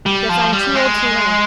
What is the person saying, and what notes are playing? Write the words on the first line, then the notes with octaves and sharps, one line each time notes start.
Guess I'm too old to learn.
G3
F3
G3
G#3